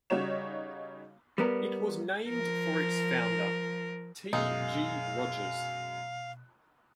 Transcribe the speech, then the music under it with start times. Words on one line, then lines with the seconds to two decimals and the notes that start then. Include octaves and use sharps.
It was named for its founder, T. G. Rogers.
0.10 C#3 G3 D#4 F#4 C#5 E7
1.38 G3 B3 A#4
2.29 F3 A#4
4.33 F#2 B2 G#3 D#4 F5